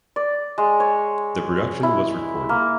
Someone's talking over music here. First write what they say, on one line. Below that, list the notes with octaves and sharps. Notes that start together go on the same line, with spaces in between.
The production was recorded.
D5
G#3
C#5
E4
A#3